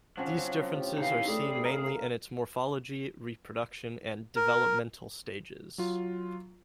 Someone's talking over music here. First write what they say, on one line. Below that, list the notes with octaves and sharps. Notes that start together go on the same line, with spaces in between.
These differences are seen mainly in its morphology, reproduction, and developmental stages.
C#3 F3 F#3 C4 D4
A2 G4
D#3 E3 D#4 F5
G3 A3 D4 G#4
A#4 F5 A#5
A#4
F#3 F4